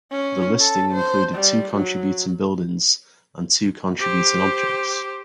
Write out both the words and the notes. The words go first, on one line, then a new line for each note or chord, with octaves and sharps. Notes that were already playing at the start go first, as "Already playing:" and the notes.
The listing included two contributing buildings and two contributing objects.
C#4
A4
C5
G3
F#3
G4 C5